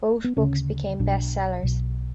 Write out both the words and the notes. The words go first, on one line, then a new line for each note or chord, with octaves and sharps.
Both books became best sellers.
B3
D2 C#3 C#4
B1 B2 D4
B1 B2